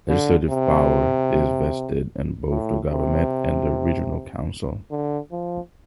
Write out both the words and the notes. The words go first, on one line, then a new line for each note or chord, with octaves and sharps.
Legislative power is vested in both the government and the Regional Council.
D3
C3
A2
C3
D3
F3